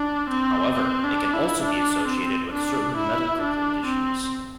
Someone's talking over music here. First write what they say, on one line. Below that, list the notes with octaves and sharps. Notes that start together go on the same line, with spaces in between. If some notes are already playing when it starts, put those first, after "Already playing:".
However, it can also be associated with certain medical conditions.
Already playing: D4
C4
C4
D4
E4
D4
C4
D4
E4
D4
C4